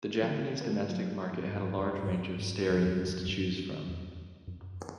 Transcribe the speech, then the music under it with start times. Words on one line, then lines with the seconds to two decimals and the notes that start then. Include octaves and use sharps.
The Japanese domestic market had a large range of Starions to choose from.
0.22 F3
0.29 D3
0.61 B3
0.70 A3
0.80 G#3
0.89 F#3
1.32 F2
1.40 F#2
1.49 G#2
1.72 G#2
1.79 F#2
2.03 G#2
2.08 F#2
2.38 G#2
2.69 F2
2.78 F#2
2.86 F2
2.98 F#2
3.09 F2
3.19 F#2
3.28 G#2
3.59 F2
3.89 F2
4.47 F#2